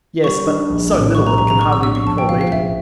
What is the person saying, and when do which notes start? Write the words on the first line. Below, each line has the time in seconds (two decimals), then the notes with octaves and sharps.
"Yes; but so little, it can hardly be called eating."
0.24 G3 C#6
0.47 D4
0.70 A#1
0.92 A2
1.15 G3 C#6
1.27 A#5
1.38 A#1 A#5
1.50 A#5
1.61 A#1 C#6
1.73 E6
1.83 D4 E6
1.95 C#6
2.07 A#1 A5
2.18 G5
2.29 F3 F5
2.41 F5
2.52 A#1 E5